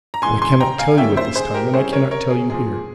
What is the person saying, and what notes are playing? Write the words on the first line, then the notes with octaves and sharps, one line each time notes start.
But I cannot tell you at this time, and I cannot tell you here.
A#5
C#3 E3 G#3 G#5 C6
G#5 C6
G5 A#5
F5 G#5
E3 G3 A#3 C#4 F4 E5 G5
C5 E5
G#4 C5
G4 A#4
G3 C#4 E4 G#4 C5
A#4 C#5
A#4 C#5
G#4
A#2 F3 G#3 G#4